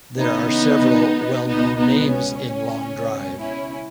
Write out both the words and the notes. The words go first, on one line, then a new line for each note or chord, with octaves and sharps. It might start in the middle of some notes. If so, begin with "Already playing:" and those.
There are several well-known names in long drive.
C#2 C#3 E3 B3 D#4
C#2 B2 B3 D#4
B3 D#4
C#4
C#2 B2
C#4 E4